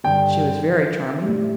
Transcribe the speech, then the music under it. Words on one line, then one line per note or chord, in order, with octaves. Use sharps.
She was very charming.
G2 D3 G3 G5
A2 G3